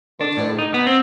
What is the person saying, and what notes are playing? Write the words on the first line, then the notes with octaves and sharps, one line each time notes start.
But so
D4
A2
D#4
B3
C4